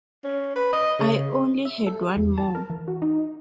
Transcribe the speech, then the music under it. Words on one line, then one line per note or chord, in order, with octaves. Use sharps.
I only had one more.
C#4
B4
D#5
C#3
E5
A4
G4
E2
A5
A#4
E3
F#4
D#4